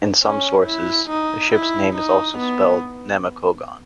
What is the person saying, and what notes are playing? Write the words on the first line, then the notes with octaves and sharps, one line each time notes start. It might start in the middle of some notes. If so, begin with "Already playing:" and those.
In some sources, the ship's name is also spelled Namakogon.
C#4
E4
D#4
E4
D#4
B3